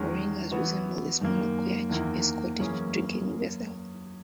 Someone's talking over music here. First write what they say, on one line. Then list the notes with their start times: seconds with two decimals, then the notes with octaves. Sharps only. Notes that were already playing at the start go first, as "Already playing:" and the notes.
Porringers resembled the smaller quaich, a Scottish drinking vessel.
Already playing: E2 D#3 G#3 C#4
0.51 E3 B3 F#4
1.21 F#2 D#3 A#3
1.90 E2 D#3 A#3 E4
2.59 F#2 E3 A#3 C#4 G#4